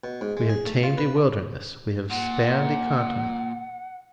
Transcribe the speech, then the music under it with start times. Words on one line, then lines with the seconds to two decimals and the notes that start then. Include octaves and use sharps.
We have tamed a wilderness; we have spanned a continent.
0.04 B2
0.21 G#2
0.37 G#3
0.49 G#4
0.66 A3
0.83 F4
0.98 B4
2.10 A#2 F#5